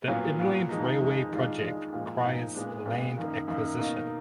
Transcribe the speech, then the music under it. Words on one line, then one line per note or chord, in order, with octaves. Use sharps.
The Inland Railway project requires land acquisition.
A#2 F#3 B3 F4
A#2 F#3 B3 F4
F2 D#3 G#3 D#4
F2 D#3 G#3 D#4
D#3 G#3 D4 F4
D#3 G#3 D4 F4
A#2 F3 G#3 D#4
A#2 F3 G#3 D#4
A#2 G#3 B3 D4
A#2 G#3 B3 D4
F#2 D#3 A#3
F#2 D#3 A#3
B2 A#3 D#4